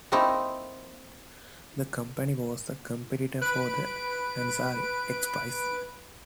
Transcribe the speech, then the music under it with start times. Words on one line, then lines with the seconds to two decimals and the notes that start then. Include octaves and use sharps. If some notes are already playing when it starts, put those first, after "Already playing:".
The company was a competitor for the Ansari X-Prize.
0.12 A3 A#3 C4 D#4 E4 A#4
3.42 B4 D7